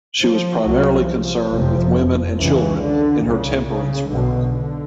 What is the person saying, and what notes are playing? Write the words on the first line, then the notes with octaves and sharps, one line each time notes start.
She was primarily concerned with women and children in her temperance work.
F3
C2 C3 F#3
F3
F#1 F2 C3
C#2 C#3 E3
D3
C2 A#2 C#3
C#3
B1 B2 D3
D3